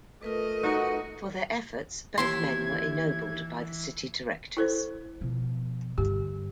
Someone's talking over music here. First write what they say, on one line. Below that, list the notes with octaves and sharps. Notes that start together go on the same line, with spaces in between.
For their efforts, both men were ennobled by the city directors.
A3 F4 A#4 B4 D#5
D#4 F#4
D#2 E3 E4 E5 C6 G#6
E4 A4 C5
B2 F3
G2 D3 G4